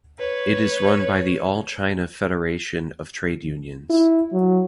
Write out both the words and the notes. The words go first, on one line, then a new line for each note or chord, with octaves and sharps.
It is run by the All-China Federation of Trade Unions.
B4 C#5
E4
F#3